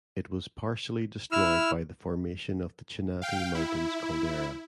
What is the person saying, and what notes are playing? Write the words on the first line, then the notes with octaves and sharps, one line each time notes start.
It was partially destroyed by the formation of the Chinati Mountains Caldera.
E4 E6 F6
F5 G5
E4